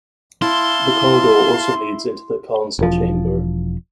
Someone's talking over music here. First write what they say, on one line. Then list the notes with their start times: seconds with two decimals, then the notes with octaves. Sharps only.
The corridor also leads into the Council Chamber.
0.42 E4 F5 A5 C6
2.79 E1 F3